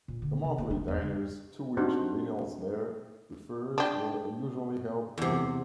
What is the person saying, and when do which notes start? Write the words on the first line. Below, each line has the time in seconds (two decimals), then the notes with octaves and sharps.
The monthly dinners to which Linnell's letter refers were usually held there.
0.08 A#2
0.22 D3
0.44 C3
0.58 A#3
0.70 D4
0.88 E2
1.01 C#3
1.77 C4 D4 D#4 F#4 G4 C5
3.78 D4 G4
5.18 E2 C3